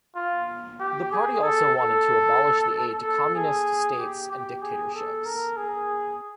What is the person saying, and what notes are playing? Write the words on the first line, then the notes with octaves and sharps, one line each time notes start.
The party also wanted to abolish the aid to communist states and dictatorships.
F4
G4
G#4
A4
A4
A4
G#4
G4
G4
G#4
A4
A#4
G#4